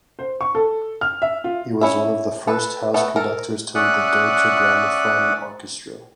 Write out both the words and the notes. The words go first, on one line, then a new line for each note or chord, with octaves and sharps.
He was one of the first house conductors to lead the Deutsche Grammophon Orchestra.
C5
C#6
A4
F6
E5
F4
C#4 E4 E5
A4 B4
A3 B3 A4
A4 A#4
C#4 D5 E5 F#5 D#6 F#6